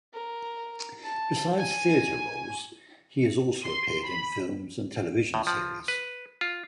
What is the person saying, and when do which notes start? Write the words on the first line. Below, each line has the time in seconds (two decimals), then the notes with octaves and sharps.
Besides theatre roles he has also appeared in films and television series.
0.14 A#4
1.04 A5
1.58 G#5
3.65 C6
4.04 B5
5.34 A2
5.47 F3
5.88 B4
6.41 F4